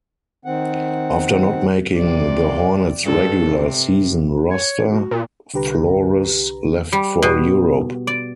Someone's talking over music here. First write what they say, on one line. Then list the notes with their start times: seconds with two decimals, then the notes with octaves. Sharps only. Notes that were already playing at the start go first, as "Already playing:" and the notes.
After not making the Hornets regular season roster, Flores left for Europe.
0.45 D#3 C4 F#5
1.96 F2 C3 D5
3.03 G2 A4
3.46 C3
4.50 C#5
4.90 F#4
5.11 A#2
5.54 C2 D3 G4 B4 A#5
6.93 G3
7.22 B2
8.07 D5